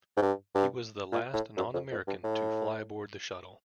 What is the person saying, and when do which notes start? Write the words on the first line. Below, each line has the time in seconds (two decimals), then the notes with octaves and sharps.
He was the last non-American to fly aboard the shuttle.
0.17 G#2
0.22 G2
0.55 G2
1.12 A#2
1.34 A2
1.57 F#2
1.74 F2
1.91 F2
2.07 G2
2.24 A2